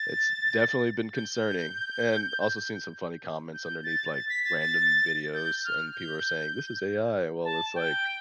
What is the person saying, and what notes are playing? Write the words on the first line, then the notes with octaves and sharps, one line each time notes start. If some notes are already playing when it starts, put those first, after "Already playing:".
it's definitely been concerning, and also seen some funny comments underneath, like, random videos and people are saying, "This is AI," well, it's like
Already playing: A6
G6
G6
A6
A6
B6
A6
A6
G6
F6
G6
A5
G5